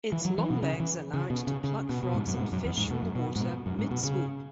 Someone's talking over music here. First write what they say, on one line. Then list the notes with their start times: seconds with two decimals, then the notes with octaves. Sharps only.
Its long legs allow it to pluck frogs and fish from the water mid-swoop.
0.12 E3
0.25 F#3
0.38 E3
0.50 B2
0.63 C#3
0.80 E3
1.14 C#3
1.30 B2
1.47 C#3
1.64 C#3
1.89 B2
2.03 B2
2.14 G#2
2.27 F#2
2.33 B2
2.40 G#2
2.52 F#2
2.65 E2
2.77 G#2
2.90 B2
3.03 F#2
3.15 B2
3.36 G#2
3.40 B2
3.66 F#2
3.79 G#2
3.91 B2
4.04 C#3